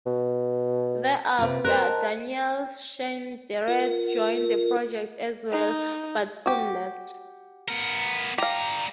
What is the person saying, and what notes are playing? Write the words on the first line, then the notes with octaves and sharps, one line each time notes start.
Thereafter Daniel Schneidereit joined the project as well, but soon left.
B2
C3 A#3 C4 F4 B4
A#4 C5 F#6
D#5 A5 A#5
F4 A#4
D#4
F#4 G4
B3 A#4
G3 G4 F5 A#5